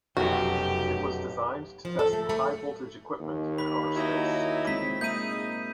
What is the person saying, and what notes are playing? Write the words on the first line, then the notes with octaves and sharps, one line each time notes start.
It was designed to test high-voltage equipment in outer space.
F1 B1 F#2 F#4 G4
F3
A4
A3
A3
D#2
B5 B6
F#3 D#4 E4
G#3 C4 F4 B6
A#3 D#4 G#4 E5 G6 D#7